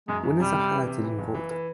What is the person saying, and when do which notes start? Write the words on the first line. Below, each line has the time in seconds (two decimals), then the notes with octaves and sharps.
Winners are highlighted in bold.
0.08 F#2 G#3
0.24 F#2
0.40 C3 G3
0.56 C3
0.71 E3
0.87 C3
1.04 E3
1.19 F#1
1.35 E3
1.51 E3